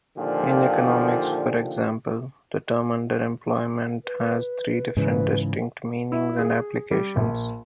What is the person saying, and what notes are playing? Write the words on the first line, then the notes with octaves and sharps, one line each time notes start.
In economics, for example, the term underemployment has three different distinct meanings and applications.
A#2 D3 D#3 F3 G4
B4
G#2 C#3 E3 B4
E4
G#4
G3
A#1